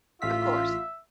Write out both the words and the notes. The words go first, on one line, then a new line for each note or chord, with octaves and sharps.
Of course.
A1 F4 E5 F5 B6